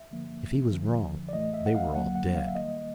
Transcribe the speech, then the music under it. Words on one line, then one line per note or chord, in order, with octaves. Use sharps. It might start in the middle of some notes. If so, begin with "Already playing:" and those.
If he was wrong, they were all dead.
Already playing: E5
G2 D3 F3 A#3
F2 D3 F3
D5
A2 E3 A3 D#5
E5
F#5
F5
F#2 D3 F#3 A#3 F#5
F#5
F5
E5
D#2 D#3 G3 A#3 D#5